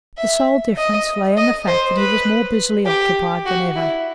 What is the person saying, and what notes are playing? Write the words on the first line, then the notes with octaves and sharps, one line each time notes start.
The sole difference lay in the fact that he was more busily occupied than ever.
E5
D#5
D#5
C5
B4
G4
F#4
E4